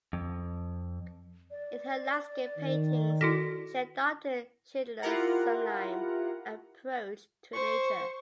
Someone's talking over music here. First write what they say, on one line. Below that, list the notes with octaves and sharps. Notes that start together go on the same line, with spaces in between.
In her landscape paintings she adopted Schindler's sublime approach to nature.
F2
D5
D#3
E4 F#4 A4 A#6 B6
E4 F4 G4 A#4 F#5 A#5
C5 C#6